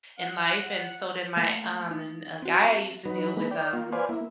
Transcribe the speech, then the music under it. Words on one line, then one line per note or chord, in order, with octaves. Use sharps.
in life and so did my, um and a guy I used to deal with, um,
F#5
A3 A#3 F5
D#4
C4 F#4
F#3 D#4 B4
G#3 A#3 D#4 B4
D5 G5
A#3 F4
B4 C5 D5 F5 G#5
A#3 E4